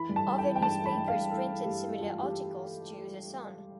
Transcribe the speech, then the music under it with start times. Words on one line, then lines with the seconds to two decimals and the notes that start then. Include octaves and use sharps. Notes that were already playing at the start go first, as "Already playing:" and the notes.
Other newspapers printed similar articles to "The Sun".
Already playing: E3 B5
0.09 G2
0.16 A5
0.27 G2
0.38 G5
0.45 E3
0.56 G5
0.61 G2 A5
0.79 E3
0.86 B5
0.97 G2
1.08 F5
1.14 G2
1.31 E3 A4
1.49 E3
1.65 G2 G4
1.83 E3
2.00 E3 F4
2.17 E3
2.23 G4